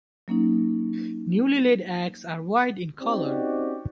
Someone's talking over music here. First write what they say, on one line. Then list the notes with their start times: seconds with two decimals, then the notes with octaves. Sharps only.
Newly laid eggs are white in color.
0.28 F#3 A#3 C#4 D#4
3.01 C4 C#4 D#4 F#4 G4 D5